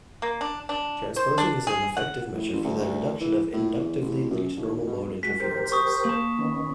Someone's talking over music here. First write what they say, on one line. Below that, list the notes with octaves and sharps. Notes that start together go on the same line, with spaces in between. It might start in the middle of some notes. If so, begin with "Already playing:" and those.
Transposing is an effective measure for the reduction of inductively linked normal mode interferences.
A#3
D4
D4
C5
D4
G#4
F#5
A2
A1
D2
D2
E3
A2
E2
A1
F#2
D#2
B2
G#3 F#4 B6
G4 A#4 C5
C#6 D#6
A#3 A5
D#3 B3 C#4